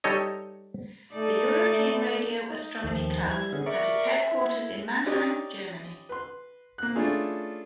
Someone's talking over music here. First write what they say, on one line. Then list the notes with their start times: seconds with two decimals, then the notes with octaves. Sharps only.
The European Radio Astronomy Club has its headquarters in Mannheim, Germany.
0.04 G3 D#4 A4 C#5 D#5
1.13 A3 D#4 A4 D5
2.50 D#4
2.84 D#2 D#3 F3
3.31 G3 E4 G#6
3.53 D3 B3 C#4 G#4
3.66 A#4 D5 E5 C#6
4.32 E4
5.06 C#4 D#4 G4 D5 D#5
6.09 B4 C6
6.78 A#3 F#6
6.95 A3 C#4 D4 E4 F4 G#4